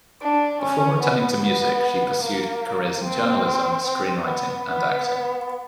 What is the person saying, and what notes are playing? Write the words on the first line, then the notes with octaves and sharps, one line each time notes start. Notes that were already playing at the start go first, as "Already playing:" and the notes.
Before returning to music, she pursued careers in journalism, screenwriting and acting.
D4
C#4
B3
B3
A#3
C4
C4
B3
B3